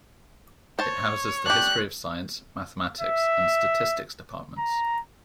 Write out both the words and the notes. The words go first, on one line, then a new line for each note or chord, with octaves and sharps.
It houses the History of Science, Mathematics, and Statistics Departments.
C5 C#5 A5
D4 G4 F#6
E5
A#5